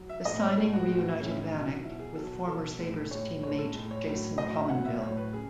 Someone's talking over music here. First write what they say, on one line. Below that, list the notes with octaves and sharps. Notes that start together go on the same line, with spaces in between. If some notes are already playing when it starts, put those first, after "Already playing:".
The signing reunited Vanek with former Sabres teammate Jason Pominville.
Already playing: F#3
E5
A2 G#3 D#5
C#5
A2 G#3 A4
F#4
A2 G#3
F#4
E4
A2 G#3 C#4
E4
D#4
B2 F#3
B2 F#3 E4
G#4
B2 F#3 A4
B2 F#3 A4
A2 G#3
A2 G#3 C#5
A2 G#3 C#5
A4
A2 G#3
C#5
A2 F#3
A2 F#3 D#5
E5
A2 F#3 F#5
E5
A2 F#3 C#5
B4
C#3 G#4